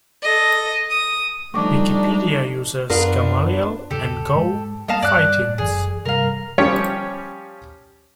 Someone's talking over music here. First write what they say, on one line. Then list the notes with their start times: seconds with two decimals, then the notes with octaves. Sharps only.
Wikipedia users Gamaliel and Go Phightins!
0.22 A4 D#5
0.90 D#6
1.54 F3 G3 A3 D4 D#4 C#6 D6
2.90 F#2 B3 D4 F4 A#4
3.90 E2 G#2 C#3 G4 A4
4.34 G#2 G#3
4.88 G3 A#3 B3 D#5 F5 A5
5.02 G2 D5 F#6
5.58 F#1 F#2 E3 G#4
6.05 G2 C3 G3 A#4 F5
6.58 F3 G3 C#4 G4 C#5